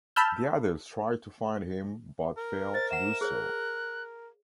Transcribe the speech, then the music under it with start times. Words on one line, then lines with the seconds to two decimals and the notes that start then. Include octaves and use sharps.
The others try to find him but fail to do so.
0.16 A5 B5 E6 F6 G6
2.37 A#4
2.74 C5 D#5 A6
2.91 E5 F#5 E7
3.21 G#4 C#5 F#6